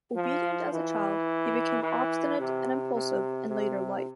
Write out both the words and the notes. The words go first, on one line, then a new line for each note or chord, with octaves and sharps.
Obedient as a child, he became obstinate and impulsive in later life.
F3
E3
E3
C3
C3
C3